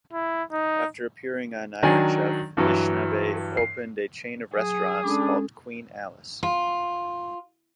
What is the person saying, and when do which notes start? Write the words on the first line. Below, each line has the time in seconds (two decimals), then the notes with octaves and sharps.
After appearing on Iron Chef, Ishinabe opened a chain of restaurants called "Queen Alice".
0.13 E4
0.52 D#4
1.83 D#3 F#3 D4 G#5
2.57 G2 E3 F#3
3.57 C7
4.55 F#3 G#4
5.04 G#3 C#4 D4 A4 B5 D6
6.43 F4